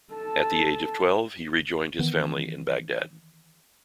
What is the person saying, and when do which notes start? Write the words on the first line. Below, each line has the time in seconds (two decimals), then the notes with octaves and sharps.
At the age of twelve, he rejoined his family in Baghdad.
0.14 A4 A5
1.99 D#3 E3 B3